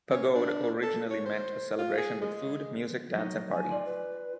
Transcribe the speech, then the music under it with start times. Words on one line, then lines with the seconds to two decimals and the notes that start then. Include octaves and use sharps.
Pagode originally meant a celebration with food, music, dance and party.
0.10 C#4
0.35 D4
0.83 A4
1.10 C#5
1.26 C5
1.78 F4
1.98 G#4
2.21 G#3
3.15 F#3 D#4
3.51 G#5
3.70 F4 D5
3.85 B4